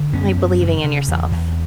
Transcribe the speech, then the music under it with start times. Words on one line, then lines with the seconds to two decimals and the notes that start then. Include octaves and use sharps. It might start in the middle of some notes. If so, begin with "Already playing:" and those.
Like, believing in yourself.
Already playing: D3
0.13 F#2 B3 C#4
0.37 F#2
0.61 C#3
0.84 C#3
1.08 E2
1.31 E2